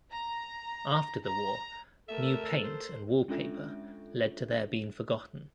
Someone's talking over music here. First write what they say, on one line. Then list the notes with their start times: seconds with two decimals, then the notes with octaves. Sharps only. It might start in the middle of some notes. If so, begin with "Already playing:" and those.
After the war, new paint and wallpaper led to their being forgotten.
0.10 A#5
1.25 A#5
2.09 A3 A4 A#4 E5
2.64 C5
3.28 G#3 C#4 D4 F4 A4 E5